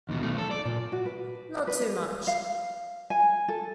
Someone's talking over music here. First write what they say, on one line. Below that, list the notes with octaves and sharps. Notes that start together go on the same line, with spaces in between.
Not too much.
D#2 B2
B1 A3
A4
D5
A#2
F#4
B4
B4
F5
G#5
A4